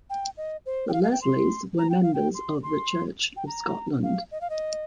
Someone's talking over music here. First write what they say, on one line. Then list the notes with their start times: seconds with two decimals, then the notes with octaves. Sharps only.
The Leslies were members of the Church of Scotland.
0.10 G5
0.37 D#5
0.66 C5
0.89 G5
0.93 F5
1.03 F5
1.12 G5
1.22 C6
1.78 A#5
1.90 G5
2.03 F5
2.14 G5
2.35 C6
2.63 C6
3.36 G5
3.47 A#5
4.03 F5
4.31 D#5
4.41 F5
4.50 D#5